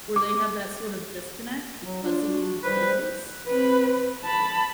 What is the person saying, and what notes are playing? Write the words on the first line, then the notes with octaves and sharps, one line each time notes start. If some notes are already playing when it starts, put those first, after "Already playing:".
where they have that sort of disconnect because of these videos
D6
F#3
D4 F4
F#4
G3 B4 C5
C4 B4
A5 B5